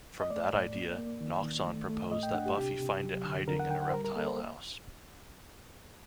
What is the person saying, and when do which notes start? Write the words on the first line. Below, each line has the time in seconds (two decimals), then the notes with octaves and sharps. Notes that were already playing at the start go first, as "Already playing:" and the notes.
From that idea, Noxon proposed that Buffy find it hiding in a reptile house.
0.21 D#5
0.30 A3 D5
0.53 A2
0.75 A#3
0.98 A#3
1.21 D#3
1.43 D#3
1.67 A3
1.89 A3
2.11 A2 D#5
2.23 G5
2.34 D4 F#5
2.46 G4
2.57 C3 G4
2.79 C3
3.03 F#3
3.25 D3
3.48 D3 A#4
3.60 F#5
3.71 D3 G5
3.82 F#5
3.89 C5
3.94 G3 A#4
4.05 A#4
4.16 A#3 A4
4.27 C5